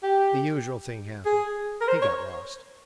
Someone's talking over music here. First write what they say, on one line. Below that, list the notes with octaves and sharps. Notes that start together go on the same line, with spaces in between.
The usual thing happened; he got lost.
G4
G#4
A#4
C5
C#5